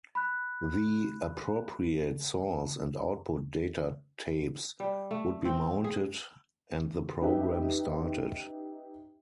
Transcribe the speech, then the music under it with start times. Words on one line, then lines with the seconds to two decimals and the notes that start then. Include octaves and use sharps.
The appropriate source and output data tapes would be mounted and the program started.
0.15 B5 F#6
4.80 G3
5.11 A3
5.45 C4
5.84 G#4
7.21 C#4 D#4 G4 B4 E5 G5